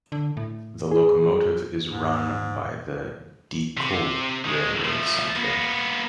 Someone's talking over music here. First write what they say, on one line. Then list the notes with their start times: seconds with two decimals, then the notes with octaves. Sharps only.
The locomotive is run by the Didcot Railway Centre.
0.12 D3
0.37 A2
0.91 G#4
1.91 G#2
3.77 C3
4.45 D#3 G#3
4.85 F3 A3
5.36 A#3 B3